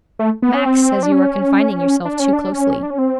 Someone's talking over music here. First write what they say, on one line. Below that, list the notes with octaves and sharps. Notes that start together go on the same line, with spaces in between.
Max says you are confining yourself too closely.
A3
B3
C#4
C4
D4
C#4
D4
C#4
D4
C#4
D4
C#4
C4